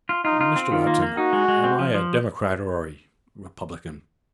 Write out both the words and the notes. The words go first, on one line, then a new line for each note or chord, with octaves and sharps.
"Mr. Watson, am I a Democrat or a Republican?"
F4
D#4 F4
F4
C4
D#3 F4
A#3
A#3
D#4 F#4
G#3
G#3
C4
F3
F3